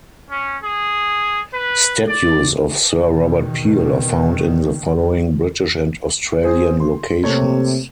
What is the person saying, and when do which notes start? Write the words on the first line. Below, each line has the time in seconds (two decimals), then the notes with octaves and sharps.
Statues of Sir Robert Peel are found in the following British and Australian locations.
0.30 C#4
0.63 G#4
1.54 B4
2.08 D5
3.03 E2 B2 D#3
6.43 C4 G#4 C5
6.80 C6
7.24 C3 A3 A#3 C#5